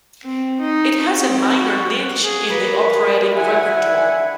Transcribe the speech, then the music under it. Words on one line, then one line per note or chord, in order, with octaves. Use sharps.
It has a minor niche in the operatic repertoire.
C4
D#4
C4
F#4
D5 F5
G#4
A#3 B4 C#5 D#5
F4 G#4
D3 E4 E5 F#5 G#5